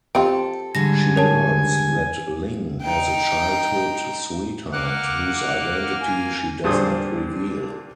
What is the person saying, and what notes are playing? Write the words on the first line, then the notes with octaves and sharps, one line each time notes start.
She learns that Ling has a childhood sweetheart, whose identity she does not reveal.
C4 F4 G4 A4
G#2 D3 G3 G#5 A#6
A#4 C#5 A5
D#4 G5
A#3 F#5 D6 F6 F#6
G#5
G2 A#2 D3 G#4 C5 D#6